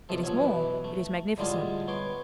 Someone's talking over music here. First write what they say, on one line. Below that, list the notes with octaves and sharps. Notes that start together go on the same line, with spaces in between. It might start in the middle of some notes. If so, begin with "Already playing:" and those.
"It is more--it is magnificent."
B1 C3 F3 A4
F3 F#3 C#4
F#2 B2 E3
A3
A2 D3 G3 G#3 F4
B3 C#5 C6 D6